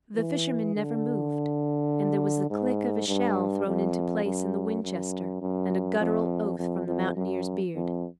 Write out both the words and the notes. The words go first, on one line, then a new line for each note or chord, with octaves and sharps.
The fisherman never moved and there was the click of a shell thrown into place in the Winchester and a guttural oath from the mountaineer's beard.
E3
D3
G#2
G2
F2
F#2
F#2
F#2
F2
F2
F2
F#2
F2